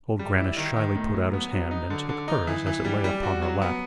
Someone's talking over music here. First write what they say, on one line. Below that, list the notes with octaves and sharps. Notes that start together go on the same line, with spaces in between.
Old Grannis shyly put out his hand and took hers as it lay upon her lap.
G3
E4
D#3
D#3
A2
F#3
B3
F#3
D#4
D3
D3
D#4
E3
E3
G3
G3
F#4
F#3
B3